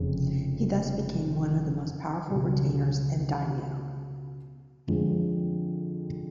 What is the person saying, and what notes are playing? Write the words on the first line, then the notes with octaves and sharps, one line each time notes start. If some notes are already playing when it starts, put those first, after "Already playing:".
He thus became one of the most powerful retainers and daimyo.
Already playing: F1 F2 C#3
C#2 B2 F#3
F2 D3 F3 G#3